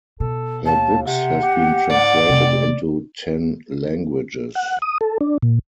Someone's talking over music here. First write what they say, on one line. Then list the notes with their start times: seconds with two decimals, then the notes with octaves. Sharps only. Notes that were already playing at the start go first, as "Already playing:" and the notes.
Her books have been translated into ten languages.
0.20 B2 A4
0.66 D#2 A5
1.06 C3 F#5
1.43 G4
1.90 G#2 D5
2.29 F2 C3 A3
4.55 F#5
4.82 D#6
5.01 A4
5.21 D4
5.43 A#2